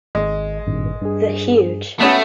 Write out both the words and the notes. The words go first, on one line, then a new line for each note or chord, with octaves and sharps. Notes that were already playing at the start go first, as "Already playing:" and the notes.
The huge.
G#1 G#3
G#1 G2 A#2
G2 G#4
A3 B3 C#4 F#4 B5 D#6